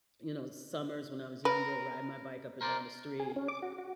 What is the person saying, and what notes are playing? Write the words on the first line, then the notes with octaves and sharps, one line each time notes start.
you know, s summers when I was younger, riding my bike up and down the street,
A#4 B4
A#4 C5 D5
G#4
C#4
D6
F#4
F#4